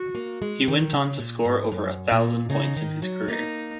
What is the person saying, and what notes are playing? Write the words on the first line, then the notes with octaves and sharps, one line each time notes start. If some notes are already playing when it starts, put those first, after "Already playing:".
He went on to score over a thousand points in his career.
Already playing: F#4
A#3
G#3
D#3
C#3
A#2
G#2
F#2
A#2
C#3 D#4
D#3
F#3
A#3 D#4